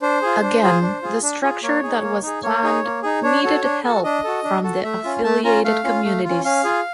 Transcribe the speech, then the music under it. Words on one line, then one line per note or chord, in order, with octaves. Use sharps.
Again, the structure that was planned needed help from the affiliated communities.
D4 C5
F4 G#4
D4
F4 G#4
D4
F4 G#4
D4
F4 G#4
A#3 C#5
D#4 G#4
A#3
D#4 G#4
A#3 C#5
D#4 G#4
A#3
D#4 G#4
D4 C#5
F#4 A4
D4
F#4 A4
D4 D#5
F#4 A4
D4
F#4 A4
A3 E5
C#4 F4
A3 A5
C#4 F4 A#5
A3 F5
C#4 F4
A3
F4
C#4
C#4 F5
F4 G#4